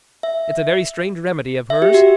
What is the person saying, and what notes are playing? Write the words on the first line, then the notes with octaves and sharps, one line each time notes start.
It's a very strange remedy of hers.
E5
E5
G4
F#4